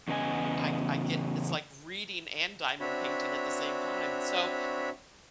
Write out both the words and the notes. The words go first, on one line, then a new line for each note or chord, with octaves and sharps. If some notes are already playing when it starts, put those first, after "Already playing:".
I g I get it's like reading and diamond painting at the same time. So,
E2 C#3 B3 D#5 G#5
C4 D4 F#4 C#5 E5 B5